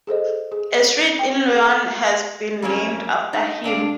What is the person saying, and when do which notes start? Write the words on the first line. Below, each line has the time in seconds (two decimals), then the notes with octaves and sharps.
A street in Lyon has been named after him.
0.07 G#4 A4 C5 D#5
0.52 G#4
1.19 G5
1.53 A4 F#5
2.62 F2 F#3 A#3 C#4
3.33 D#4
3.64 C3 D4 F5